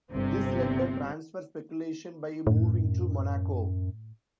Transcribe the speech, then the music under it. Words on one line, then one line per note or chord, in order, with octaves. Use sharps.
This led a transfer speculation by moving to Monaco.
G1 C3 C4
F#2 A2